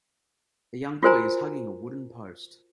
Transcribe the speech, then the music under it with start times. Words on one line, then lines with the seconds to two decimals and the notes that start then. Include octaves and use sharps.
A young boy is hugging a wooden post.
1.03 F4 F#4 A#4 C5 G#5 A#5